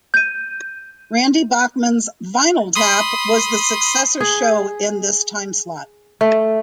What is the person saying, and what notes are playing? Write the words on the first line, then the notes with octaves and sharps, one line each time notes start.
Randy Bachman's "Vinyl Tap" was the successor show in this timeslot.
G6 D#7
B5 C6 D#6
G#4
A3